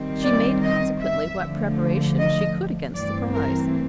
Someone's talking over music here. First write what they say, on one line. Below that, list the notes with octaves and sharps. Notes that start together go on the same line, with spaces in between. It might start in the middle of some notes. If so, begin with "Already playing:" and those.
She made, consequently, what preparation she could against surprise.
Already playing: D#3 G3 C4
D5
D#5
E5
D3 F3 A3
D#5
G2 E3 A3 C4 D5
A#4